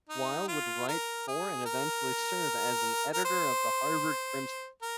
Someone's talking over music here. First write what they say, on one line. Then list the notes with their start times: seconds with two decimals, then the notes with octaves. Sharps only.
Weil would write for and eventually serve as an editor of the Harvard Crimson.
0.09 D#4
0.48 F4
0.88 A#4
1.28 G#4
1.66 A#4
3.13 A#4
3.25 C5
4.82 A#4